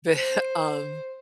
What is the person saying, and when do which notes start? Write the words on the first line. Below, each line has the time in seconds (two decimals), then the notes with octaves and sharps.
But, um
0.15 C5